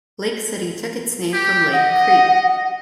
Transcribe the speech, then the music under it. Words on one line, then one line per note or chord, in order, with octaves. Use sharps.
Lake City took its name from Lake Creek.
G4
D#5 F#5